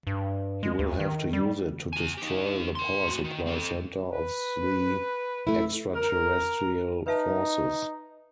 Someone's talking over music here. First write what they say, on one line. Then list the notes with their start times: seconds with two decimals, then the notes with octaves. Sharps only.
He will have to use it to destroy the power supply center of the extraterrestrial forces.
0.07 G2
0.63 G#3
0.79 D2
1.00 D#3
1.33 G3
1.93 E2 G#5
2.18 D#4 G4
2.75 A#4 C6
3.08 A2 F#4
3.24 D#3
3.47 C4 A4
4.12 B4
5.47 A3 E4
5.95 A#4
7.07 D#4 B4 E5 A5